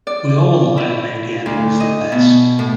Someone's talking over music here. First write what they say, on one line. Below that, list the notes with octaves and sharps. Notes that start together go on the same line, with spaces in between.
We all liked Lady Evans the best.
D5
E4
D2
D#5
B2
A2